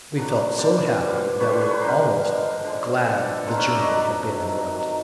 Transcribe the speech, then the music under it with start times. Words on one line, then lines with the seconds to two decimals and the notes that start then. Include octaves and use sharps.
We felt so happy that we were almost glad the journey had been interrupted.
0.16 A#2 F#3 B3 D4
0.57 G2 D3 G3 C5 D5
0.99 G2 D3 G3
1.40 G2 D3 G3 B4 C#5
1.51 C5 D5
1.61 B4 C#5
1.71 B4 C#5
1.81 G2 D3 G3 A#4 C5
2.23 D3 F3 G#3
2.64 D3 F3 G#3
3.05 D3 F3 G#3 A4 B4
3.46 D3 F3 G#3 A#4 C5
3.57 B4 C#5
3.67 D5 E5
3.77 C#5 D#5
3.88 C3 D#3 F#3 A4 B4
4.29 C3 D#3 F#3
4.71 C3 D#3 F#3